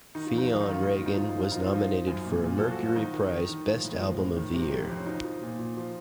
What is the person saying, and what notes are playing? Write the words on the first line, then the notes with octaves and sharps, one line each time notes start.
Fionn Regan was nominated for a Mercury Prize Best Album Of The Year.
D#3 D#4
F4
F2
D#4
D#3 F4
D#4
D#3
F4
A2 D#4
F4
F3 D#4
F3 F4
D#4
F3 F4
F3 D#4
F4
F3 D#4
F3
F#2
A#2
A#2
F3 A4
F#4
F3 F4
D#3 D#4
D#3
D#3
D#3
F3
A2
F3
A2
D#3
C3
C4
F2
C4
F2
C#4
F3 D#4
F3
A#2
A#2
F3